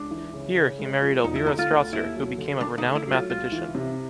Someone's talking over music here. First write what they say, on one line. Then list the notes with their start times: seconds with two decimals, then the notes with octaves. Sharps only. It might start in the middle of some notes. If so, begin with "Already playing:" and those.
Here, he married Elvira Strasser, who became a renowned mathematician.
Already playing: C#2 D4
0.11 E3
0.33 C#3
0.56 C#3
0.79 G#3
1.02 F3
1.24 E1 D#4
1.35 E4
1.46 D3 D#4
1.59 F4
1.70 D2
1.93 D#2 E4
2.15 F#3
2.38 D3
2.61 D3 D4
2.78 D#4
2.84 A3
2.95 E4
3.07 F#3
3.13 F4
3.30 C#2 F4
3.52 E3
3.75 C3